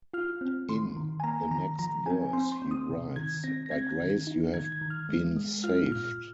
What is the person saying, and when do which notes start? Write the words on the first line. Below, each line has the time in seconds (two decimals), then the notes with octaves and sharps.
In the next verse he writes, by grace you have been saved.
0.14 F4 F6
0.41 C4
0.69 D#3 C6
0.96 D#3
1.20 G#5
1.24 A#3 A#5
1.51 D#3 A#5
1.79 F3 A#5
2.06 C4 G#5
2.33 C4 C6
2.52 C6
2.62 C4
2.71 D#6
2.89 C3
3.16 D#3 G#6
3.44 C4 A#6
3.66 A#6
3.71 C4 G#6
4.00 D#3
4.27 D#4
4.54 D#3 G#6
4.72 G#6
4.81 D#3
4.90 F6
5.09 G#3
5.36 G#3
5.64 F4 F6
5.91 A#2 F6